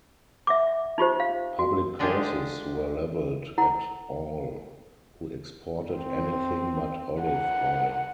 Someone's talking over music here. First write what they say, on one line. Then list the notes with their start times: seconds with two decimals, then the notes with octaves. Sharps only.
Public curses were leveled at all who exported anything but olive oil.
0.47 E5 F#5 D6
0.98 D#4 F4 G4 C5
1.20 F5
1.59 F#4
1.99 D3 G#3 D4 F4 G4 G#4
3.58 E4 F#5 A#5
5.97 C4
7.24 F#5